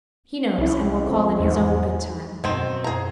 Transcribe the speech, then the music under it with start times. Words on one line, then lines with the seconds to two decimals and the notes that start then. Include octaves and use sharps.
He knows and will call in His own good time.
0.58 C2 C#4 E4
1.05 F2
1.40 E2 G#2
2.44 F#2 B2 D#3 C4
2.84 G#4 A#5